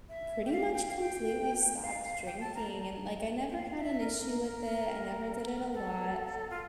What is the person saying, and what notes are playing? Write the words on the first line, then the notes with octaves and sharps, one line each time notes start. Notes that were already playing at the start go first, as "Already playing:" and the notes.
pretty much completely stopped drinking, and, like, I never had an issue with it, I never did it a lot,
E5
G5
F5
G5
F5
G5
F5
G5
A5
A#5
G5
F5
E5
A#4
A#4
A#4
A#4
A4
F4